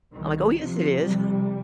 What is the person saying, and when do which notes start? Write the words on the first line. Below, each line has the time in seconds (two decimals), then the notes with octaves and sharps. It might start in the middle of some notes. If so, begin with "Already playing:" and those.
I'm like, "Oh, yes, it is."
0.12 C2 B2 D#3
0.56 F2 C3 F3
1.00 F2 C3 G3